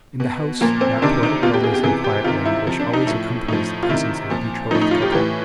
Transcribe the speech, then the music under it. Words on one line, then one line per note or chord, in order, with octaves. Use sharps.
In the house that poetic dullness and quiet reigned which always accompanies the presence of a betrothed couple.
B2
A#2 F3 A#3
C4
C3 D#3 D4
D#4
B2 F4
G4
G#4
G4
C3 E3 G#4
G4
C3 D#3 F4
E4
C3 F3
D4
D#4
A2 F3 E4
A2 F3 D#4
F4
C3 D#3 E4
A#2 F3
A2 F3 D#4
D#4
F4
G4
A2 E3 G4